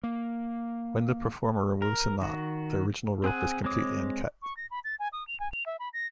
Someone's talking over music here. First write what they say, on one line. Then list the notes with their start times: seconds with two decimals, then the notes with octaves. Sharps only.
When the performer removes the knot, the original rope is completely uncut.
0.04 A#3
1.82 A#4
2.22 D#3 F#4
3.24 C4 G#4 F#5 G#5
3.64 G#3 C4 C#5 D6 D#6
4.42 C#6
4.57 A#6
4.71 B5
4.84 A6
5.00 G#5
5.13 D#6
5.27 F7
5.40 G#5
5.52 F7
5.66 E5
5.79 B5
5.93 A#6